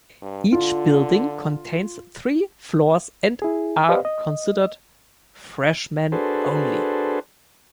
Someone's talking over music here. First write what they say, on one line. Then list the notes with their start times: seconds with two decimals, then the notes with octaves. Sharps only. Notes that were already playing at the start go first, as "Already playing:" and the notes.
Each building contains three floors and are considered freshmen-only.
0.22 G2
0.52 D3 F4
3.42 E4 G#4
3.89 G4 B4 C5 D5 D#5 F5
4.05 D#5
6.12 D4 F#4 G#4 A4 B4 C5